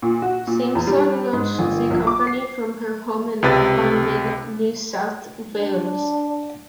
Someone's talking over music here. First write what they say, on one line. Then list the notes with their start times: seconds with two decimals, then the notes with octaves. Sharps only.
Simson launched the company from her home in Balmain, New South Wales.
0.02 A#2
0.22 F#4
0.47 A#2
0.75 E2
0.87 G3
1.33 G#2
1.59 G1
1.91 A#1
2.07 D6
2.27 C7
3.42 C#2 C3 B4 A6
5.54 D4